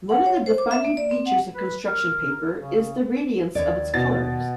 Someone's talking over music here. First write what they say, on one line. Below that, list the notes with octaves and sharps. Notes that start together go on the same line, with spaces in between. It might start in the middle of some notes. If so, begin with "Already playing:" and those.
One of the defining features of construction paper is the radiance of its colours.
F#5
C#5
C5
D6
E5
A#3
D5
C4
F#5
B4
A#4
C#3
D#2 C#5 D5
B2 A6